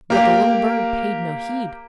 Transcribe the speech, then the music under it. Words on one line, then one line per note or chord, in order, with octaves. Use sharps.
But the little bird paid no heed.
A#3 G4